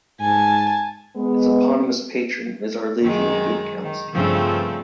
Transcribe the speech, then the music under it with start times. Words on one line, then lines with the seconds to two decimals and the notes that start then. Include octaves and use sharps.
Its eponymous patron is Our Lady of Good Counsel.
0.21 G#2 G#5 A5
1.16 G#3 B3
3.02 F#2 D#3 G#3
3.83 D#3
4.14 G2 C#3 F3 A3 C4